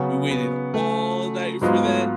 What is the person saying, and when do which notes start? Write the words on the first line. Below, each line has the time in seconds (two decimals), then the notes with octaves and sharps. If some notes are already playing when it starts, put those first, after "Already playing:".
we waited all night for that.
Already playing: C#3 F#3 B3 C#4 F#4
0.31 B3
0.74 A3
1.61 G#2 F#3 G#3 B3 F4
1.84 A3